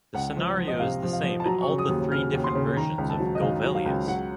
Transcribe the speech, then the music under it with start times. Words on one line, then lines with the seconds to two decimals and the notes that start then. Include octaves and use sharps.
The scenario is the same in all the three different versions of "Golvellius".
0.14 C#2 F#5
0.37 F3
0.58 F3
0.68 D#5
0.80 C3 F5
1.03 F3
1.13 F5
1.24 F3
1.40 A5
1.45 F#3 A#5
1.62 C#6
1.67 C#3
1.78 D#6
1.89 D#2
2.11 C#3 F6
2.33 D#2
2.44 C6
2.55 C#3
2.77 D#3 A#5
2.98 C#2
3.10 A5
3.20 F#3
3.35 D#5
3.42 D#3 F5
3.64 F#3
3.75 F5
3.86 C#2
4.08 F#3 F#5